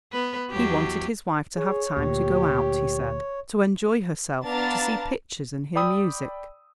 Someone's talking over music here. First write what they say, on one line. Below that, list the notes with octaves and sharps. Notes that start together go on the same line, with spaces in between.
He wanted his wife to have time to go out, he said; to enjoy herself; to see pictures and hear music.
B3 B4
E2 F#3 G4
G#4 C#5
D2 A#2 G4
B3 D4 F5 A5 A#5 A6
D5 G5 B5 D#6 E6